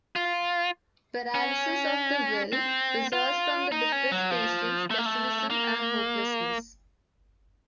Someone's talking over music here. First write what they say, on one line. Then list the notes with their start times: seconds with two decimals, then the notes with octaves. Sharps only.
"Paralysis of the will" results from the depressed patients' pessimism and hopelessness.
0.16 F4
1.35 C#4
2.52 C4
3.13 F4
3.72 D#4
3.92 C#4
4.12 F#3
4.31 F3
4.91 A3
4.98 A#3
5.06 A3
5.50 A#3